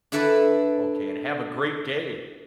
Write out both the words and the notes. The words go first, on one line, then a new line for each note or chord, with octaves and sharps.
Okay, and have a great day.
D4 E4 A4 B4 D5